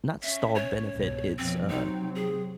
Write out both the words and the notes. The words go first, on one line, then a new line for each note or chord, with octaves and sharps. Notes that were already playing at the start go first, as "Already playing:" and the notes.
not stalled benefit. It's, uh
C#4 E5
C#5
C2 G#2 B2
F2 B2 F3 C4
C3 F#3 C4 D#4
G#4